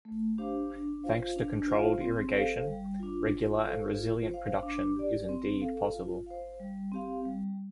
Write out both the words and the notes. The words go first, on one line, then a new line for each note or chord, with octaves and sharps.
Thanks to controlled irrigation, regular and resilient production is indeed possible.
A3
D4 G4 C5 F5
D4
F4 C5 F5
D4
F4 C5 F5
C4
A4 C5 F5
G3
D4 F4
F4
A4 C5 F5
F4
C5 F5
D4
G4 D5
C4
A4 F5
F4
C5 F5
G3
C4 G4 F5
G3